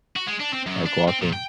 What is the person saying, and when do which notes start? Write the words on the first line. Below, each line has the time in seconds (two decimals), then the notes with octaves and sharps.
like walking.
0.16 F#4
0.28 G#3
0.40 D4
0.54 C4
0.67 F#2
0.86 D4
1.08 C4
1.22 A#2
1.33 G5